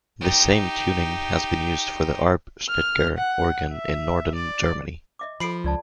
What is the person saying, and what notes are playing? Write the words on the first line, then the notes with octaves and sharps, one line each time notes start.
This same tuning has been used for the Arp Schnitger organ in Norden, Germany.
D#4 G4
F6
F#5
E5
D5
D#5 E5 D6
F3 F4 A4 B5 C7 D7
C#2 F4 D5 A5